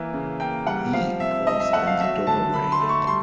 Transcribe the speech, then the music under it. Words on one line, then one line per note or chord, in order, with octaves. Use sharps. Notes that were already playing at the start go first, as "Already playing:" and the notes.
He paused in the doorway.
Already playing: E3 A#3
C#3
A#3 G5
G3 F#5
F3 F5
C3 E5
C3 D#5
E5
A3 F#5
F5
F#3 E5
D3 A5
D3 B5
C6
A3
C#6
G3 C6